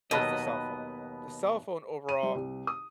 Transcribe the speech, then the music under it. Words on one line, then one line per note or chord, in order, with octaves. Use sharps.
is the cell phone. The cell phone overall
D#2 B2 F#3 D#5 A5 B5 F#6
D#7
G3
C2
D#6